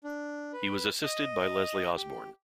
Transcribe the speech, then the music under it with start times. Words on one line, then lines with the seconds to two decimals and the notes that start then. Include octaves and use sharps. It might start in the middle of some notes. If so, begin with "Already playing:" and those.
He was assisted by Leslie Osborne.
0.04 D4
0.53 B4
1.03 D#5
1.96 G4